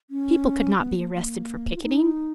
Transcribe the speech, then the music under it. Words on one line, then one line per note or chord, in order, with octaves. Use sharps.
People could not be arrested for picketing.
C#4
B3
A#3
A#3
F4
D#4